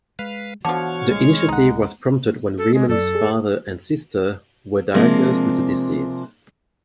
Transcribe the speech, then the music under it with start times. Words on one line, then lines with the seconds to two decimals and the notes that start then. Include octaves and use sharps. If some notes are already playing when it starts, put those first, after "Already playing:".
The initiative was prompted when Rehman's father and sister were diagnosed with the disease.
0.19 G#3 B4 F5
0.65 D3 E3 F3 B3 F#4 C#5 C#6 F6
1.09 A1 G3 G#3
1.49 C#2 C4 D#4 F#5
2.58 A4
2.74 G#3
2.89 F#2 A4 D5
3.15 G#4
4.94 C3 F3 G#3 A#3 C4 D4